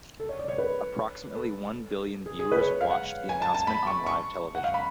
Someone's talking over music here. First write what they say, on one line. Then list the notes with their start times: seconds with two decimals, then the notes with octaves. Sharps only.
Approximately one billion viewers watched the announcement on live television.
0.20 A4
0.29 C#5
0.39 D5
0.48 C#5
0.58 B4
1.36 A4
2.26 G#4
2.39 G#4
2.52 B4
2.61 C#5
2.81 F5
2.90 F#5
3.29 G#5
3.42 A5
3.54 A5
3.67 B5
3.87 C#6
4.06 C#6
4.55 F#5
4.64 F5
4.74 B5